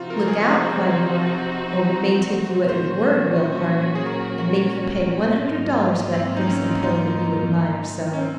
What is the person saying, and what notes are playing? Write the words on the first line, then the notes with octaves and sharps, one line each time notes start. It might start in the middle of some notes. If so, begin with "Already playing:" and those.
"Look out," cried Nora, "or we may take you at your word, Will Hardon, and make you pay one hundred dollars for that crimson pillow that you admire so."
Already playing: C3 F3 C4 D#4 F4 F#4
A#4
G#4
G#4
C5
A#2 F#3 C#4 F#4 C5
G#4
A#4
G#2 F#3 A#3 F4
C4
D#4
C#4
D#4
C#4
C4